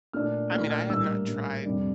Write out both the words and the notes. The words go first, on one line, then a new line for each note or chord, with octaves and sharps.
I mean, I have not tried
A#2 A3 D4 F6
A#2 A3 D4 F6
F6
A2 G3 A#3 D4 E6
A2 G3 A#3 D4
F2 C3 G3 D4